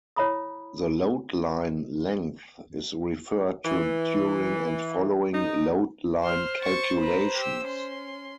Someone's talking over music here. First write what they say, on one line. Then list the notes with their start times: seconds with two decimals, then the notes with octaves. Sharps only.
The load line length is referred to during and following load line calculations.
0.16 E4 C#5 E5 A#5 B5 D#6
3.65 E3
5.33 D#4
6.23 C5 C6 F6
6.61 C#6 A6
7.00 B4 A#5
7.36 G4 E6
7.65 C#4 C6